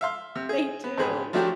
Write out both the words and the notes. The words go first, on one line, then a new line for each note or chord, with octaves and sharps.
They do.
E5 F5 C6
C3
G#4
B3
G#1 B3 G4 G#4 B5
F3 F#3 A3 D4 F#4 G4